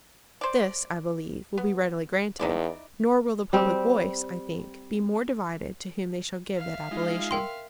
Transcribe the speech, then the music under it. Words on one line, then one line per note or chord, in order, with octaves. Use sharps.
This, I believe, will be readily granted; nor will the public voice, I think, be more divided to whom they shall give that appellation.
C5 D5
B3
E2 D#4 E4 D5
G3 C4 G4
E5 F5
G#3 D#4 F4
A#4 G5 C6